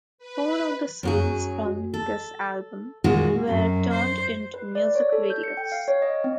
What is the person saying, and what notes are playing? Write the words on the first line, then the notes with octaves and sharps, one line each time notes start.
Four of the songs from this album were turned into music videos.
B4
F#2 F#3 G#4
A4
A#2 D#3 G#3 F#4 G#4
F#2
C5
B4
D5
C#5
A4
G6
C#7
G5
F5
C#5
D#5
C4